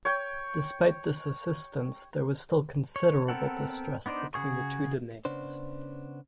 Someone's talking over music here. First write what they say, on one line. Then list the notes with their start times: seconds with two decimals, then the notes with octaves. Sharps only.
Despite this assistance, there was still considerable distrust between the two domains.
0.05 C#5 G5
2.96 C#5
3.28 B3 C4 A4 A#4 F#5
4.06 B3 D4 D#4 C5 D5
4.34 C#3 F#4 G#4 C#6
5.25 C#3 B3 C#4 D4 C5